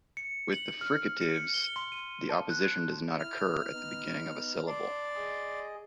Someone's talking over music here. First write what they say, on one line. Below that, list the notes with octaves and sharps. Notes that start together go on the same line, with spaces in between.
With the fricatives, the opposition does not occur at the beginning of a syllable.
C#7
F#7
F6
C#7
G7
C6
D#7
A5
F#6
E4 F6
B3 D#4
D5 A5 C6
G#4 D#5